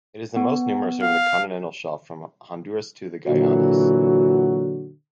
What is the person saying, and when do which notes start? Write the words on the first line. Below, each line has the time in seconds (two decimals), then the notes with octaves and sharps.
It is most numerous over the continental shelf from Honduras to the Guianas.
0.37 B3
1.03 F5
3.28 A#2 D3 E3 F#3 F#4